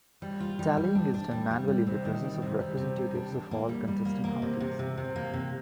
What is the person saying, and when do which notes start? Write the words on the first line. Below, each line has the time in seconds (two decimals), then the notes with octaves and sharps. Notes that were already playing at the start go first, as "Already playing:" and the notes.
Tallying is done manually in the presence of representatives of all contesting parties.
0.22 G3
0.40 F4
0.59 G3
0.77 G3
0.95 D4
1.14 D4
1.31 G3
1.51 G3
1.68 G3
1.87 C3
2.05 D#3
2.23 G3
2.42 C3
2.60 G3
2.77 C3
2.97 G3
3.15 D4
3.32 D4
3.51 A#3
3.69 G3
3.88 G3
4.05 A#3
4.24 A#3
4.42 C3
4.60 C3
4.79 C3
4.97 C3
5.16 A#3
5.34 C3